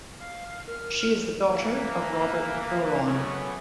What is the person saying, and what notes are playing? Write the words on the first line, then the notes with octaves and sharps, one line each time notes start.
She is the daughter of Robert Buron.
F5
A#4 F6
E3 A#3
E3 F#3 G#3 A3 B3 C#4